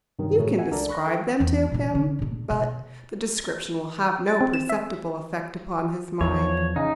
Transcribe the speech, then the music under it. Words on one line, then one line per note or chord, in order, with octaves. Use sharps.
You can describe them to him, but the description will have no perceptible effect upon his mind.
G2 C3 D#3 F#3
A2 C#3 E3 F#3 A3 G#4
E5 F#5 G#5
C#2 D4 A4 A#4 D5 A#5
B5 C#6 F#6 A#6
A4 E5 G5
E2 D#4
A#2 E3
D3
A#2 D4
B2
A6
C4
E7
E5
E2 F3 C#5
C#3 D#4